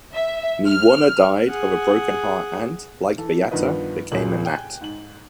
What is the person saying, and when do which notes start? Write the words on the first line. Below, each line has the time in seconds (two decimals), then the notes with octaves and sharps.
Me Wunna died of a broken heart and, like Byatta, became a nat.
0.13 E5
0.66 F6
1.49 G#4 F#5
3.18 E3 A4
3.51 G2 D#3 F3 B3 B4 D#5
4.12 D#1 C#2 A#2 A#3 G#4 F#7
4.45 G5 G#5 F#6
4.81 G#2 F#7